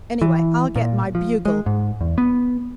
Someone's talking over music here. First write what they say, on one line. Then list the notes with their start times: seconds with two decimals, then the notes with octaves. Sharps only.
Anyway, I'll get my bugle.
0.22 E3
0.76 A#2
1.15 F3
1.45 G#3
1.66 G#2
2.01 E2
2.18 B3